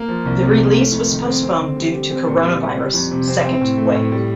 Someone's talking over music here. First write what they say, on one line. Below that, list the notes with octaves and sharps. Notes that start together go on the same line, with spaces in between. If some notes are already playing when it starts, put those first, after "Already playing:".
The release was postponed due to Coronavirus second wave.
Already playing: A#3
F3
C2
C3
A#3
A3
F2
D#3
C4
C4
D3
G3
G4
C4
A#2
G3
G4
G3
F2
C3
C4
C4
A2
A3
A2
G3